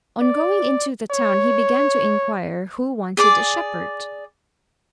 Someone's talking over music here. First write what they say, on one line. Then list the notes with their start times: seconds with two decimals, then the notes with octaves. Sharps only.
On going into the town he began to inquire who wanted a shepherd.
0.21 D5
1.11 C#5
3.17 G#4 D5 D6